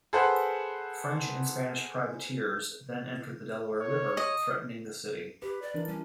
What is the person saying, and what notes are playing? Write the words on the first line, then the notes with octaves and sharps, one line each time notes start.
French and Spanish privateers then entered the Delaware River, threatening the city.
G#4 A4 B4 C5 F#5
C#5
D#5
G4 B4
D5
E3 D4 A#4
G3 C#4